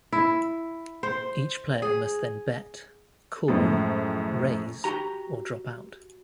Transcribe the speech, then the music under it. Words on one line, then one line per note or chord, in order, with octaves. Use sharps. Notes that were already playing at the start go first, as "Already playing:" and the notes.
Each player must then bet, call, raise or drop out.
E4
C5
G#4
F#2 A2 F3 G#3
F#4 G4 A#5